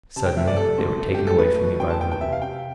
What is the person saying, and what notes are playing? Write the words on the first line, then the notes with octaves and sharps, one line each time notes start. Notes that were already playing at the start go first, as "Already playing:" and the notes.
Suddenly they were taken away from me by the law.
C3 A5
G5
A3 E5
D5
C3 A4
D2
A3
A3 G4
A4
A3 B4
B2
D2 G5
A5
B3 G5
G5
C3 E5
F5
C3 G5